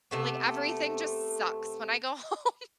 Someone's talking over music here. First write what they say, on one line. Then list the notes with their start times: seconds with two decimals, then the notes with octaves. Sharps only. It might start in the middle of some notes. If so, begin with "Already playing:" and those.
like, everything just sucks when I go home,
0.11 C3 A3 B3